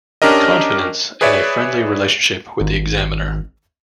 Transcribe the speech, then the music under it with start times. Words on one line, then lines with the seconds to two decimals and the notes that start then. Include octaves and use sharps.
Confidence and a friendly relationship with the examiner.
0.22 C#4 D4 G4 A#4 D#5
1.21 G#4 B4 C#5 D5 E5
2.60 G#1